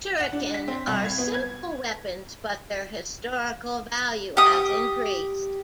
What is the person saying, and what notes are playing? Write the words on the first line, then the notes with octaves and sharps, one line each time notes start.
Shuriken are simple weapons, but their historical value has increased.
F#5
D4
B6
C4
C2
G#6
B3
G#6
G4 D#6